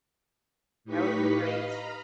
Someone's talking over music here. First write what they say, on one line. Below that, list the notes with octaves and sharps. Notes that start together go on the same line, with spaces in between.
That would be great.
A2 D#4 G4 B4 C#6 B6
B4 D#5 F5
A#5 B5 F6